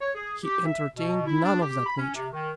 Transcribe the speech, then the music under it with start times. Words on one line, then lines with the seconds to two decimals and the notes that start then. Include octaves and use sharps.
He entertained none of that nature.
0.01 C#5
0.15 G#4
0.43 G4
0.65 E5
0.96 B2
1.26 E4
1.43 D4
1.61 G4
1.85 B5
1.97 C#4
2.15 C3
2.33 D#3